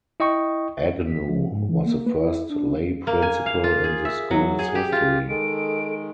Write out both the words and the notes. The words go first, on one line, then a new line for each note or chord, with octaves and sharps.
Agnew was the first lay principal in the school's history.
E4 D#5 G5 C#6
B6
F3
G#2
E3
A#3
B4
E4
D4
A#3
G#5
F5
F4
G#4
E5
F#3
G#4
G4
F4
D#3 G#3 A4 D7